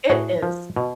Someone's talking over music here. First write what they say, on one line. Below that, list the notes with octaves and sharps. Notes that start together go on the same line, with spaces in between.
It is.
A2 F#4 G#4
F3
B2